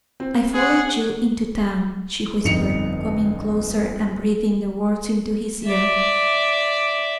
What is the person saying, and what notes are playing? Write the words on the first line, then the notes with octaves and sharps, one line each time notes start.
"I followed you into town," she whispered, coming closer, and breathing the words into his ear.
C4
G#4 F#5
G1 F2 D#4 C#7 F7
D5 E5